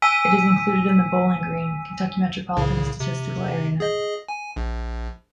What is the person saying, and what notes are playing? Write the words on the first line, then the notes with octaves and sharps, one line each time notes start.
It is included in the Bowling Green, Kentucky Metropolitan Statistical Area.
G#5 E6 B6 D#7
C2 A2 C#3
C3
G#4 D#5
G#5
A#1